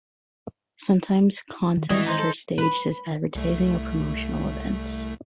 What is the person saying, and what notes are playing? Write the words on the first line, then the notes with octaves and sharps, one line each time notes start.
Sometimes, contests are staged as advertising or promotional events.
D#3
D#3 E3 G#3 C4 F#4 D#5
D#4 C5
A4
B4
C2 A3